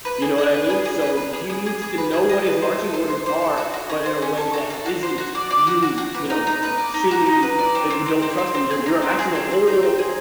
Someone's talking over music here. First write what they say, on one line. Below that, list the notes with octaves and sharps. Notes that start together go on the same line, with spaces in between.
You know what I mean? So, y he needs to know what his marching orders are, but in a way that isn't you, you know, b seeming that you don't trust him. You're you're actually, the whole
B4
G#4
D#5
B4
G#4
G#4
B4
B4
G#4
G#4
G#4
G#4
B4
G#4
D#5
B4
C5
A4
C5
C5
C5
A4
F#4
F#4
C#4
C5
C#4
A4
F#4
A4
F#4
C5
F#4
D5
D5
F#4
F#4
F#4
B4
D#4
D#4
B4
D5
D#4
F#4
D#4
B4
D5
C4
C4
C4
C4
C4
C4
G#4
D#4
C4
G#4
C4
C4
D#4
C4
G#4